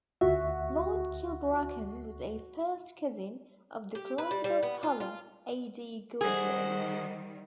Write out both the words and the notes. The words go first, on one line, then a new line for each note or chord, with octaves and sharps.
Lord Kilbracken was a first cousin of the classical scholar A. D. Godley.
D2 F#4 E5
G4
B4
G3
G3
B3
F4
F4
D#3 G3 G#4 C5 F#5